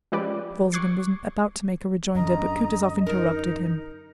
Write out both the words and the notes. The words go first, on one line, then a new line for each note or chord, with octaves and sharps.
Wolzogen was about to make a rejoinder, but Kutuzov interrupted him.
F3 G#3 C#4 G4 B4 D5
C#6 D6 F#6 G#6 C7
F#2 D3 D#5 A#5
D#4 A#4